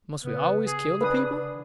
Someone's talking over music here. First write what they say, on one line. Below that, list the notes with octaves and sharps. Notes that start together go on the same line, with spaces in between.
"Must we always kill the people?"
C#3 B3
G#4
D4 B4 D#6